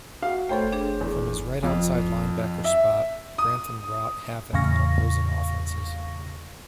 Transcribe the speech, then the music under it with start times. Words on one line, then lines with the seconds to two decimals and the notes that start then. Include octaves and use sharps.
From his right outside linebacker spot, Grantham wrought havoc on opposing offenses.
0.22 F#4 F5
0.49 A3 A4 C5 C#5 G5
0.72 D4 G#4 A4
1.01 E2
1.63 F2
2.64 E5
3.38 D#6
4.53 E2 A2 C#3 F5 C#6 A#6